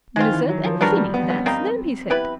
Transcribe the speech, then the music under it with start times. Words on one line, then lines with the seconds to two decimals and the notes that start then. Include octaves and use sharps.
"Blizzard and Finney, that's them," he said.
0.16 D#3 G#3 C4 F4
0.32 E3
0.49 F#3
0.65 F3
0.81 G3 B3 D4 F#4 A#4
0.97 G3
1.14 B3
1.30 B3
1.45 D#3 G3 A#3 C4 D#4
2.10 B3 E4 G4 B4